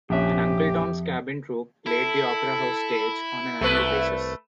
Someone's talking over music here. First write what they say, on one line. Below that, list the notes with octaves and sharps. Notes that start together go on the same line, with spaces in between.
An "Uncle Tom's Cabin" troupe played the Opera House stage on an annual basis.
A#1 F2 C#4 G4 E5
E4 A4
C2 A3 B4 E5